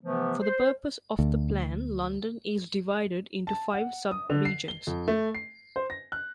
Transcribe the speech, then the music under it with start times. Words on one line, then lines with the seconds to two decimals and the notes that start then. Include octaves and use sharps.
For the purposes of the plan, London is divided into five sub regions.
0.02 C3 E3 F3 A3 B3
0.39 C5
1.19 D2
3.47 A5
3.73 F#5
4.11 D#6
4.30 D3
4.45 C7
4.68 G7
4.87 F2
5.08 A3
5.35 C7
5.76 C5
5.90 A#6
6.12 F#6